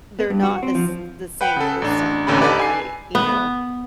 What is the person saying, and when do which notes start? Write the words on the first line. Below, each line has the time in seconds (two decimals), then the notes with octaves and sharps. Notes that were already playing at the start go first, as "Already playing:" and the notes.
They're not the s the same person that I, you know
0.19 B3
0.30 G2
0.43 F#4
0.63 C4
0.75 F3
1.41 B4 F#5 G5
1.56 C#3 A4
1.82 A1 D4
2.27 A1 D#2 D3 C#4 G4 B5
2.41 D#4 G4 A4 B4 D5
2.59 G#5 C7
3.15 B3